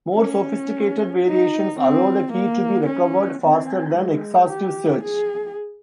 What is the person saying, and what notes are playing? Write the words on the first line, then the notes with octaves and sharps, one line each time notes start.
More sophisticated variations allow the key to be recovered faster than exhaustive search.
C#4
D#4
C4
A#3
C#4
C4
G#3
G4
G#4